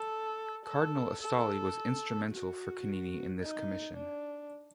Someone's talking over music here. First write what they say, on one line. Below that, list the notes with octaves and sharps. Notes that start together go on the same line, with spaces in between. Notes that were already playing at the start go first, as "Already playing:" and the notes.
Cardinal Astalli was instrumental for Canini in this commission.
Already playing: A4
A4
A4
F#4
D#4
D4